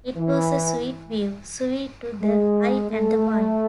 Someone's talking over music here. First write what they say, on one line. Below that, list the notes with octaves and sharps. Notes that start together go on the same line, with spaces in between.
It was a sweet view: sweet to the eye and the mind.
E3
G#3
A3